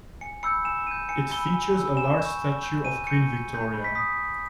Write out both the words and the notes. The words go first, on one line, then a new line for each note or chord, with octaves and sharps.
It features a large statue of Queen Victoria.
G#5 C#7
B5 E6 G6 C#7
G#5 E7
B5 E6 G6 D#7
G#5 C#7
B5 E6 G6 G7
G#5
B5 E6 G6
G#5 E7
C#6 G6
G#5
C#6 G6
G#5 D#7
C#6 G6 C#7
G#5
C#6 G6
B5
B6
D#6 B6